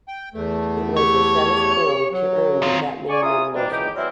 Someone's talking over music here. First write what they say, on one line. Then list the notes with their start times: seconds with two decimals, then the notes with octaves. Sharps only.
It was the seventh film to earn that many nominations.
0.08 G5
0.34 E2 A3
0.97 G4 C#5
2.12 F#3
2.62 D#3 C4 F4
3.09 D5 G#5 C#6
3.21 E4 F4 G#5 A#5 D#6
3.54 F2 C3 G3 A#3 D4
3.69 C#2 B2 E3 D#4 G4
3.95 E3 F#3 G3 C4 E4 A#4